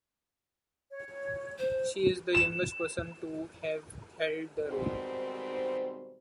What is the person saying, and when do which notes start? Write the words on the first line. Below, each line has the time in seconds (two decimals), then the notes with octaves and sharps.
She is the youngest person to have held the role.
0.91 C#5
1.58 C5
2.35 E7
4.67 G#2 B2 D#3 G3 C4 C5